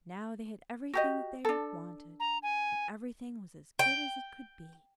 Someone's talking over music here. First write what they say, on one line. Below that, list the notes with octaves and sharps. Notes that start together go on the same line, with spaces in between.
Now they had everything that they wanted, and everything was as good as it could be.
F#4 G4 D#5
D4 A4
A#5
G#5
G5